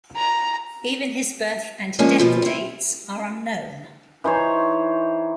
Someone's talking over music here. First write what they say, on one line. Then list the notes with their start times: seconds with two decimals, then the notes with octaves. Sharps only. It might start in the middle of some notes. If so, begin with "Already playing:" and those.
Even his birth and death dates are unknown.
0.16 A#5
1.99 F3 G#3 A#3 C#4 D4
2.18 D#2 B2 F3 F4
2.42 C4 E4
4.24 E3 D#4 C5 C#5